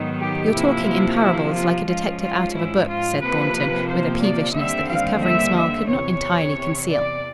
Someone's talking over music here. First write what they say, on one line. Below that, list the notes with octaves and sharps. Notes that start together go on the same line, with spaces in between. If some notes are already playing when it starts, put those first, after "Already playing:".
"You're talking in parables, like a detective out of a book," said Thornton, with a peevishness that his covering smile could not entirely conceal.
Already playing: G#2 D#3 F#3 B3 D#4
G4
C3 F3 A#3 E4
E4
F4
G#2 F3 G#3 C#4 F4
F4
E4
F4
C3 F3 A#3 B4
C5
D5
D#2 D3 G3 C4 E5
F5
E5
E5
E2 C3 E3 C#5
D5